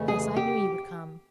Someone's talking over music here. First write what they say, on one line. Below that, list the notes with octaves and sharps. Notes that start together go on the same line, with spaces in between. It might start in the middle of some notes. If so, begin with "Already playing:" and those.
Yes, I knew you would come.
Already playing: F2 C#3 E3 A3
G#4
G4